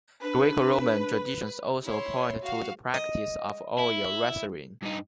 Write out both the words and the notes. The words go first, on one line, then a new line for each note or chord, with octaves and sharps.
Greco-Roman traditions also point to the practice of oil wrestling.
D4 B4
E4 C#5 C6
F#4 F5
D#5
E4
G2 D#4